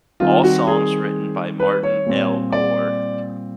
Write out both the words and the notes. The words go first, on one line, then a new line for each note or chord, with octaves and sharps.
All songs written by Martin L. Gore.
D#3 G3 C4 F4
F#4
G#4
B4
C#5
A#2 G3 C4
D5